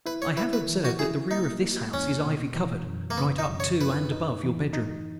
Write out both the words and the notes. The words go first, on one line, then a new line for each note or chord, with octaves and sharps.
I have observed that the rear of this house is ivy-covered right up to and above your bedroom.
E4 B4
C#5
E4 B4
B4
E3
F#4
E4 G#4
A#3 D#4
A#3
E2 C#4
B2
E3
F#2
A#3
C#3 B3
D#4
F#2
C#5
D#4 B4
D#4
E3
D#4